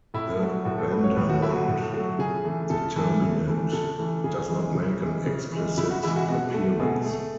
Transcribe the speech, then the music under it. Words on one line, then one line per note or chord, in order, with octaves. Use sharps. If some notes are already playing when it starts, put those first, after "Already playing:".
The Vandermonde determinant does not make an explicit appearance.
A2 E4
F#3 A3
A2 F#4
A4
F#3 A3 B4
C#5
A2 B4
F#4
F#3 A3 E4
F#4
A2
F#3 A3
C#3 G#4
E3 A3
C#3 A4
E3 A3
C#3
E3 A3
C#3 A4
E3 A3
C#3 G#4
E3 G#3
C#3
E3 G#3
C#3
E3 G#3
C#3 E4
F#4
E3 G#3 E4
F#4
B2 F#4
A3
B2 G#4
A3